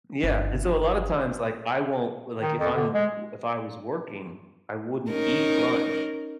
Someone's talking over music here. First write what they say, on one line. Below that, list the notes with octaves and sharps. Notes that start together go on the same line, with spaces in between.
Yeah, and so a lotta times, like, I won't l like, if I'm w if I was working, I wouldn't eat lunch
G1
D#3
F2
D3
G#3
C#4 D#4 A#4